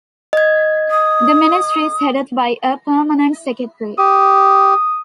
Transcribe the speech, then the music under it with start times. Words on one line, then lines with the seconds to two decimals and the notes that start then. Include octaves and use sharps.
The Ministry is headed by a Permanent Secretary.
0.33 D#5 G#6
0.91 D#6
3.98 G4 D#6